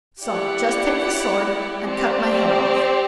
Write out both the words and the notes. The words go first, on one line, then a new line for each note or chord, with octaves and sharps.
So just take the sword, and cut my head off.'
E4 G4 D5 F#5
C4 G4 D5